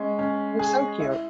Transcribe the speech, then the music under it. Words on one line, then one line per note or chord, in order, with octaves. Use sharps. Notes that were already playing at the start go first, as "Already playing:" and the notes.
They're so cute.
Already playing: G#3 C#4
C#4
G#4
E4